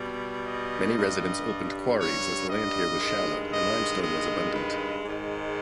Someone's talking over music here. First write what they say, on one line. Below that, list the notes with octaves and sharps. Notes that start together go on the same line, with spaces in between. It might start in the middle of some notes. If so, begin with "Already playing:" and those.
Many residents opened quarries as the land here was shallow and limestone was abundant.
Already playing: B2 G3
D#5
G2 G3
C#5
D#5
G2 D#3 G#3
D#5
D#5
B4
G#2 D#3 G#3